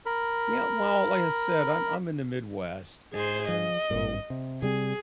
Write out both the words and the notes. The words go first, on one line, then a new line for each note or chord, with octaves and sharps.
Yeah, well, like I said, I'm I'm in the Midwest, and so
A#4 B5
G#4 C5
F3 D#5
G#1 G2
C3
C3 G3 C4 G#4